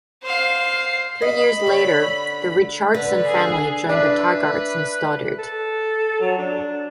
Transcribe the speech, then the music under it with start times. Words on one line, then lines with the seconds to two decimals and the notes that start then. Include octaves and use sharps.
Three years later, the Richardson family joined the Taggarts in Stoddard.
0.23 C5 F5
1.22 D#5 B5
1.66 D3 C#5
2.94 D3 B4
3.27 G#4
3.89 D4 B4 D5 E5
5.38 A4
6.21 F#3
6.38 D4